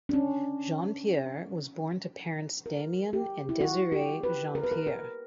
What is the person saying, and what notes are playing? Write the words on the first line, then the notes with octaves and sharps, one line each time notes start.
Jeanpiere was born to parents Damion and Desiree Jeanpiere.
D4
C#4
A#4
G4
E4
F#4
G4
B4
A#4
B4
A#4
A#4